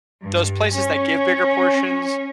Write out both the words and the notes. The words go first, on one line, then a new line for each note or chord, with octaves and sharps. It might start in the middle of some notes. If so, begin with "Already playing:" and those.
those places that give bigger portions,
G2
C#4